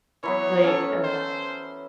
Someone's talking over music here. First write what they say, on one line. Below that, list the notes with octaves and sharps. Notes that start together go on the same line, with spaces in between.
Like, uh
E3 F#3 B3 C#5
C#4 A4
C5